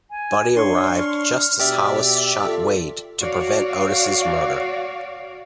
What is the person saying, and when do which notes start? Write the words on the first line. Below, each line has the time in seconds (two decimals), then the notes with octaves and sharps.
Buddy arrived just as Hollis shot Wade to prevent Otis's murder.
0.11 G#5
0.57 D4 C#5 C6 C#6
0.98 F6
1.59 B2 G4 D5 E5
2.45 F4 A4
3.21 F#4 C#5 D5 F5